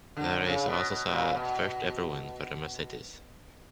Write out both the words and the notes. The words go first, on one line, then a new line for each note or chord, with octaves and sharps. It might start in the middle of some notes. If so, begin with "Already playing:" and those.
The race also saw the first ever win for a Mercedes.
D3
C#3
B2
B2
B2
A#2
B2